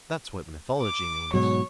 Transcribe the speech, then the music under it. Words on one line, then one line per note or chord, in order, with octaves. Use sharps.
That's what mythology means.
D6
G#2 B2 F#3 C#5